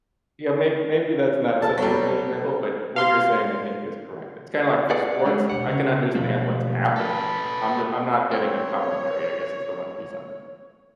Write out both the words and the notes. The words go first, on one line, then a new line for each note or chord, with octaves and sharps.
Yeah, may maybe that's not such a great example, but what you're saying, I think, is correct. It's kinda like for sports, I can understand what's happening, I'm d I'm not getting the commentary, I guess, is the one piece I'm missing.
A4 A5
F#3 G3
F5 C6
G#4 B4 D5 F#5
G3 G#3 D4
B1 C3 G4 F#5
C#3 C#4
B2 D3 F3 G3 A3 A#3
A4 B4
C4 C#5